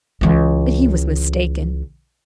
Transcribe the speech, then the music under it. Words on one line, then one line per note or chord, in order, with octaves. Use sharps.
But he was mistaken.
C#2 E3